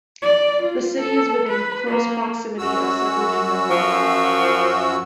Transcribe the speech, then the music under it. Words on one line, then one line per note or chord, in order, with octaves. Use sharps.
The city is within close proximity of several junior colleges.
D5
F4
A4
B4
A#3
F#2 F#4 E6
F3